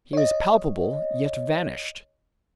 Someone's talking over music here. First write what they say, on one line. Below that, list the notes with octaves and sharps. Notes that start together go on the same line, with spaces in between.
He was palpable, yet vanished.
C#5 D#5